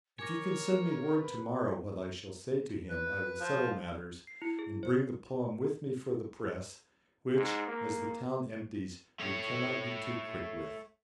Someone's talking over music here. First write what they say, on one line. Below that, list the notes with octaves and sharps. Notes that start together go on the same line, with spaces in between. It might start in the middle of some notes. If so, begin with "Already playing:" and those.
If you can send me word to-morrow what I shall say to him, I will settle matters, and bring the poem with me for the press, which, as the town empties, we cannot be too quick with.
A#4 C#5 G#5 D6 A#6
B4
B4
F3
C7
E4
G#4
C5
G#2
A#3
A3 C#5